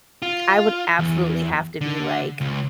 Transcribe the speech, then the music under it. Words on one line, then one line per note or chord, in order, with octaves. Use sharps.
I would absolutely have to be, like
F4
E2
D3
C#2